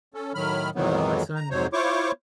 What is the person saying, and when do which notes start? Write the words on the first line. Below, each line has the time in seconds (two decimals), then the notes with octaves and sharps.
uh, my son
0.14 C#4 A4
0.35 A2 D#3 F#3 B5 F6
0.75 F2 G#2 D#3 E3 F#3 B3
1.36 A#5
1.50 F2 G#2 C3 F#3 C5 C#5
1.73 E4 F4 C5 C#5 C#6 D6